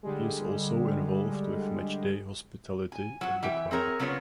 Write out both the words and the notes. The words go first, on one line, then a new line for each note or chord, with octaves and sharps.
He is also involved with matchday hospitality at the club.
D3 G3 G#3
G#5
F#3 F#4
E3 E5 G5
C4 G#4 A#4 C#5
C#3 F#3 B3 F4 A4 C#5